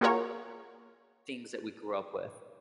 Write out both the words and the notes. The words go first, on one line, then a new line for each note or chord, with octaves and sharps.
things that we grew up with.
A#3 F4 F#4 G#4 A#4 C#5